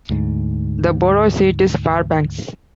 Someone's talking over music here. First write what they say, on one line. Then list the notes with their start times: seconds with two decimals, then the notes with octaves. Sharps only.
The borough seat is Fairbanks.
0.09 D2 G#2